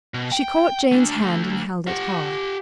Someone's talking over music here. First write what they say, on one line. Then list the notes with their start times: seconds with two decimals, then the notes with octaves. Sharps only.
She caught Jane's hand and held it hard.
0.14 B2
0.32 G5
0.92 A3 D4
1.21 D3 A3
1.87 G4 F#5